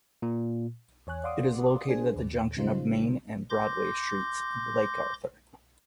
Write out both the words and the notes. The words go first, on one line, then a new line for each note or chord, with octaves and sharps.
It is located at the junction of Main and Broadway Streets in Lake Arthur.
A#2
E2 C#5 G#5 F#6
D5 F5 F#5 C6 D6 D#6
D4 G#4 C5 G#5
D#2 A#2
C#3 G3 G#3 D#4 F4 C5
C6 D6 G6 A#6